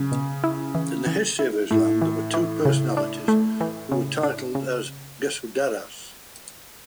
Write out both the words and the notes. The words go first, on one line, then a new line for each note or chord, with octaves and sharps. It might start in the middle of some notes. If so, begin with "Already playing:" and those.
In the history of Islam there were two personalities who were titled as Gesudaraz.
Already playing: C#3 F#3
B2
E4
E3
E3
E4
A2 A3
E3
E3
C#3
D4
A3
E3
C#3
D4
C#3